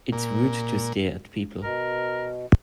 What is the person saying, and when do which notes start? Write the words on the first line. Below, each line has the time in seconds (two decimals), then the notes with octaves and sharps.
It's rude to stare at people.
0.13 A#2
1.63 B2 A#4